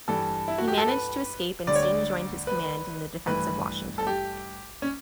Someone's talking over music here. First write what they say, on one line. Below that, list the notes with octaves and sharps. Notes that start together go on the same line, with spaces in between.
He managed to escape and soon joined his command in the defense of Washington.
G2 E3 G3 A4
E4
F#4
G4
A4
B4
D2 D3 G3 D5
C#5
D5
B4
G2 E3 A3 B4
A4
G4
C#4